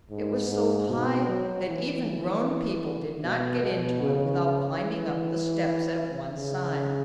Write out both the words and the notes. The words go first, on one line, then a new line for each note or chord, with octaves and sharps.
It was so high that even grown people did not get into it without climbing up the steps at one side.
G#2
G#2
B2
F#3
E3
B2
B2
C#3
E3
C#3